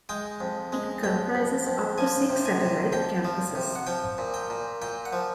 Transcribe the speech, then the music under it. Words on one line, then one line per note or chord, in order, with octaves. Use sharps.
It comprises up to six satellite campuses.
G#3 G5
F2
G#3
F2 G5
F2
F2
F3 G#5
C3
G#5
C3
F2 G5
F3
C3
F#5
F3 G5
A#2
G5
A#2
A#2 G5
F#5
F3